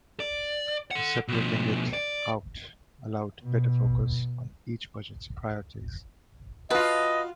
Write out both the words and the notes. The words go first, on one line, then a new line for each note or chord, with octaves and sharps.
So separating it out allowed better focus on each budget's priorities.
D5
A4 F#5
B2 F3
D5
B2
F4 F#4 B4 D#5 A5